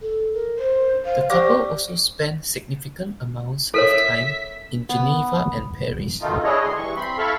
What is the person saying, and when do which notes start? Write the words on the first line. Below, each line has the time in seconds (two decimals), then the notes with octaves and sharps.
The couple also spent significant amounts of time in Geneva and Paris.
0.02 A4
0.34 A#4
0.58 C5
1.05 C5 F5
1.30 G4 C5 D5 C#6 D6
3.74 A4 A#4 C#5 E5 B6
4.89 B3
6.21 B2 D#3 A3 D#4 F4
6.44 D4 E4 G#4 C#5 D#5
6.62 D2 D#3 G#4 C6
6.77 G2 E3 C#6
6.97 C4 B5 C6
7.18 E4 A4 F5 B5 C#6